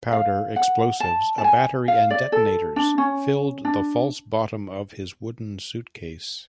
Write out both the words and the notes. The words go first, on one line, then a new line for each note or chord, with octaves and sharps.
Powder, explosives, a battery and detonators filled the false bottom of his wooden suitcase.
F5
F#5
A5
A5
G#5
F5
D5
A4
D4
C#4
D4